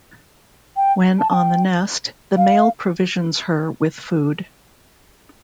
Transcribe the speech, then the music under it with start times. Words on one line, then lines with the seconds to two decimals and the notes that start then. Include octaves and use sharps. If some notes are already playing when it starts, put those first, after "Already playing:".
When on the nest, the male provisions her with food.
0.77 G5
1.19 A5
1.30 A5
1.34 G5
2.37 F5